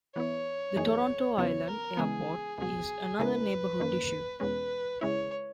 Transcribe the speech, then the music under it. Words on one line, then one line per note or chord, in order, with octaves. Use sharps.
The Toronto Island Airport is another neighbourhood issue.
E3 B3 E4 C#5
F#2 E3 A#3 D#4 G#4
E2 C#3 F#3 B3 E4 C#5
A#4
C#3 E3 G#3 B3 G#4
C#2 B2 F#3 G#4
C#3 G#3 C#4 E4 A#4 B4
F#2 D#3 A#3 C#4
E2 B2 G#3 C#4 B4
C#3 G#3 C#4 E4 C#5